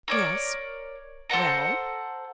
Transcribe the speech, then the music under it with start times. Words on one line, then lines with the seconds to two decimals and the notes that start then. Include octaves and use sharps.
"Yes." "Well?"
0.08 A#4 C#5 D5
1.30 A4 C5 F#5 A#5